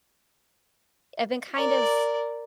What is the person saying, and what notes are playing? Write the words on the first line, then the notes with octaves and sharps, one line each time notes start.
I've been kind of,
A#4 D5